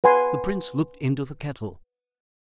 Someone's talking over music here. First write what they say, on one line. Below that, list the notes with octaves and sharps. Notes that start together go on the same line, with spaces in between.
The prince looked into the kettle.
B4 F#5 G#5 C6